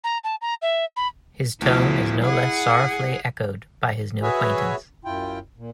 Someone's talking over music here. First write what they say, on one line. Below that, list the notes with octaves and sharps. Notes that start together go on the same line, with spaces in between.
His tone is no less sorrowfully echoed by his new acquaintance.
A#5
A5
A#5
E5
B5
D2 B2 F3 E4
E4 G#4 F#5
F#4 G#4 B4 C#5 E5 G#5
F#2 E4 F4 G5
A#2